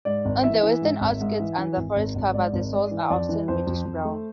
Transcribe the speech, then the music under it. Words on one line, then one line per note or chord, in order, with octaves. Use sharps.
On the western outskirts under forest cover, the soils are often reddish brown.
G#2 D5
G#1
E3 E5
E3
G#2
G#1
G#2
E3
E3
G#1
G#1
G#1
G#2 D5
G#1
G#2 D5
E3
F2 D5
E3
F2 C5
F2
F2
A3